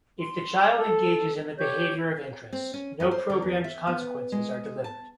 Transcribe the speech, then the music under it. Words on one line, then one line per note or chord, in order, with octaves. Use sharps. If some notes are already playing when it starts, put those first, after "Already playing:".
If the child engages in the behavior of interest, no programmed consequences are delivered.
C6
A4
G4 C#5 G6
E4
C4
C#4
F2
C5
D3
E2
E5
B3
G#3
A5